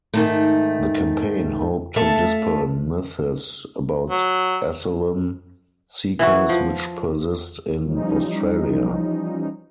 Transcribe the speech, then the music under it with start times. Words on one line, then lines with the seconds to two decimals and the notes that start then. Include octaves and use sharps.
The campaign hoped to dispel myths about asylum seekers which persist in Australia.
0.14 G#2 D#3 A3
1.96 A3 A4 E5 F5
4.10 F#3
6.19 E3 E4 F#4
6.49 F3
7.84 E3 F3 G3 C#4 D#4